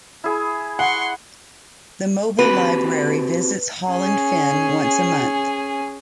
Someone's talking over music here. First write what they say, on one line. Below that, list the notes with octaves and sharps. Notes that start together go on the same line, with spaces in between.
The mobile library visits Holland Fen once a month.
E4 G#4
F#5 C6 C#6
C4 F#4 G4 B4
C#4 G#4